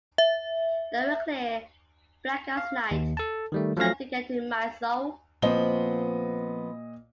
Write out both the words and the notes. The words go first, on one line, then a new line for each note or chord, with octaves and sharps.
They were clear, black as night, trying to get into my soul.
E5
F5
D#2
A4 A5
D#3 G3 A3
F3 F#3 A3 F5 A#6
A#2 F3 B3 C4 D#5 G7